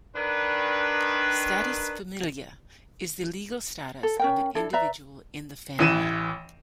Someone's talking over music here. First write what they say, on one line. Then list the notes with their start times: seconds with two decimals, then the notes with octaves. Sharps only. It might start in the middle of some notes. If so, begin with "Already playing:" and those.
"Status familiae" is the legal status of an individual in the family.
0.15 D#3 D4 B4
4.03 A4
4.19 C#4 A#4 G5
4.55 D4 E4 A4
4.73 B4 D5 E5 A#5
5.79 A1 E3 D#7 E7